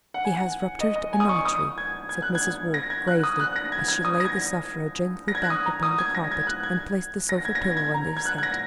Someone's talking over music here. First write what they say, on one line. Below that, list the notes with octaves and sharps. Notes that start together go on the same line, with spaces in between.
"He has ruptured an artery," said Mrs. Waugh, gravely, as she laid the sufferer gently back upon the carpet and placed the sofa pillow under his head.
F#5
G#5
F#5
D#5
D#5
G#5
D#6
C#6
D#6
G#6
G#6
F#6
G#6
A#6
G#6
F#6
D#6
F#6
A#6
G#6
G#6
D#6
A#6
G#6
A#6
G#6
F#6
D#6
A#5
D#6
G#6
A#6
G#6
F#6
G#6
A#6
G#6
A#6
G#6
G#6
A#5
G#6
F#6
G#6
A#6